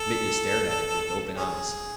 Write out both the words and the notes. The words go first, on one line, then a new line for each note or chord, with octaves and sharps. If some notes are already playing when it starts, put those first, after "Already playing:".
Mitya stared at it with open eyes.
Already playing: A4
C#4 G#4